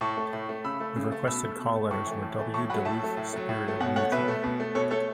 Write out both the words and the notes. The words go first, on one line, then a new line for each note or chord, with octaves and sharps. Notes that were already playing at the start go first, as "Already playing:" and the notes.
The requested call letters were W Duluth Superior Mutual.
A2 A5 C#6
A3
A2
A3
C#3 B5 E6
A3
C#3
A3
B2 B5 E6
A3
B2
A3
A2 A5 C#6
E3 A3
A2
E3 A3
A2 A5 C#6
F#3 A3 F#5 B5
A2 E5 A5
F#3 A3
A2
F#3 A3
A2
F#3 A3
B2 C#5 F#5
A3 C#5 F#5
B2 B4 E5
A3
B2
A3
B2 A4 C#5
A3 A4 C#5